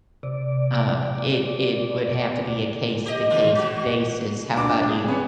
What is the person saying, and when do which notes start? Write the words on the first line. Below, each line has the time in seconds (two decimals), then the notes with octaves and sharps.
uh, it it would have to be a case-to-case basis. How about you?
0.23 C3 D5
3.06 G4 D#5
3.30 D#3 E3 F4
3.55 B2 F#4
4.57 D4 D6
4.89 G#4
5.08 B3 C#4 C#5